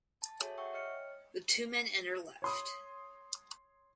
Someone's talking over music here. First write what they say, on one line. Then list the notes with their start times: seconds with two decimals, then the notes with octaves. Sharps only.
The two men enter left.
0.22 A5 A6
0.39 F#4 G#4 A4 C#5 E5 G#5
0.58 E5 F#5 G5 C#6 E6
0.73 C#5 D#5 F6 C#7
2.42 C#5 C6 D#6